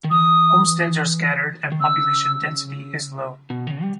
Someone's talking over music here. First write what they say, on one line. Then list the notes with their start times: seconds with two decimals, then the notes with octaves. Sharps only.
Homesteads are scattered and population density is low.
0.04 D#3
0.11 E3 D#6
1.72 D#3
1.80 C#3 E6
3.50 B2
3.67 D#3
3.71 C#3
3.82 G3